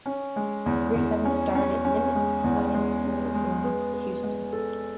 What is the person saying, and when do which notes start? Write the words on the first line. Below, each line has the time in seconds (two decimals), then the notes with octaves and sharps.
Griffin starred at Nimitz High School in Houston.
0.06 C#4
0.36 G#3
0.66 E2
0.95 E2
1.25 C#4
1.55 C#4
1.85 C#4
2.15 G#3
2.44 E2
2.74 G#3
3.04 C#4
3.34 G#3
3.64 B3
3.94 B3
4.23 G#3
4.53 A4